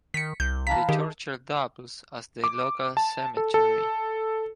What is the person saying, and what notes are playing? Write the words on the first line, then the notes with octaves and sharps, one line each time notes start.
The churchyard doubles as the local cemetery.
D#3 B6 C#7
C2 G6
E3 F5 A5 A#5 B6
D#3 G4 G#4
D6
A5
A4
A4